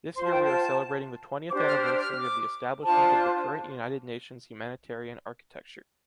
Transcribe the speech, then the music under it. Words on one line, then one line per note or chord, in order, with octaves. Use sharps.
This year we are celebrating the twentieth anniversary of the establishment of the current United Nations humanitarian architecture.
F4 C5 C6
A5
G5
A5
D4 G4 C5 D6
F6
F6
F6
D6
D4 F4 C5 A5